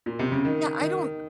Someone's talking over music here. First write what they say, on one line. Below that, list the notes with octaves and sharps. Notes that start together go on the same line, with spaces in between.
Yeah. I don't
A#2
C3
C#3
D#3
D#3